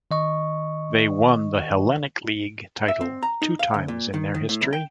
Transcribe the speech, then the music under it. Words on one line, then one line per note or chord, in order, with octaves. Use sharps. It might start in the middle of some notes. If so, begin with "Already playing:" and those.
They won the Hellenic League title two times in their history.
D#3 D#5 C#6
E5
C4
A#5
D#4
F5
D2
A#2
D#3
D#3
A2
C2
G5